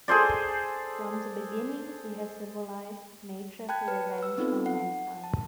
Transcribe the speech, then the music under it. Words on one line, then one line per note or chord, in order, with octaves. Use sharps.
From the beginning he has symbolized nature's revenge on mankind.
G#4 A4 C5 D5
G5 A5 B5 F#6 G#6
B4 C#5
B4 E6
B3 C4 D#4 F4 A4
F#5
A5